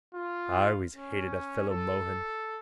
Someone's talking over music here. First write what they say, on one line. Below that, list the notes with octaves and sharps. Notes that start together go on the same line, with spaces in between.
I always hated that fellow Mohun.
F4
C#4
A4